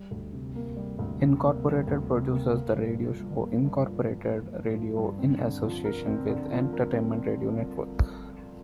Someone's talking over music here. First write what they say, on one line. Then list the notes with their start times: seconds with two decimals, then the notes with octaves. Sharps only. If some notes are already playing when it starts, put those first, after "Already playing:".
Incorporated produces the radio show "Incorporated Radio" in association with Entertainment Radio Network.
Already playing: G3
0.11 D2
0.33 C3
0.55 A#3
0.77 G3
0.99 D2
1.21 C3
1.43 A#3
1.66 G3
1.87 D2
2.10 C3
2.31 A#3
2.54 A#3
2.76 G2
2.98 F3
3.20 G2
3.43 A#3
3.64 G2
3.86 F3
4.08 G2
4.30 A#3
4.53 G2
4.74 F3
4.97 G2
5.19 C4
5.40 D3
5.63 F3
5.85 A#4
6.07 C4
6.29 D3
6.51 F3
6.73 A#4
6.95 C4